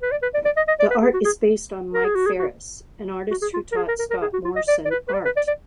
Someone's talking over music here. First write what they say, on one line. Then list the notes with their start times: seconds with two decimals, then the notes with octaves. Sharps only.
The art is based on Mike Ferris, an artist who taught Scott Morrison art.
0.02 B4
0.12 D5
0.23 B4
0.34 D5
0.45 D5
0.57 D#5
0.68 D#5
0.80 D5
0.91 B4
1.03 G#4
1.14 F#4
1.25 G#4
1.94 A#4
2.05 G#4
2.15 F#4
2.26 G#4
2.39 F#4
3.31 F#4
3.42 G#4
3.54 F4
3.72 A#4
3.77 G#4
3.88 A#4
3.99 A#4
4.11 A#4
4.22 G#4
4.33 F#4
4.45 F4
4.56 D#5
4.68 D5
4.85 D5
4.91 B4
5.08 B4
5.14 D5
5.25 B4
5.37 D5
5.48 D5